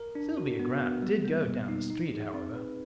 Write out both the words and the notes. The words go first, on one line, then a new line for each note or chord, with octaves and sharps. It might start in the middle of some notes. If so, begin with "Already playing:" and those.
Sylvia Grant did go down the street, however.
Already playing: A#4
D4
F#4
B3
B3
G3
A#3
B2
D#4
D#4
G#4
C4
B4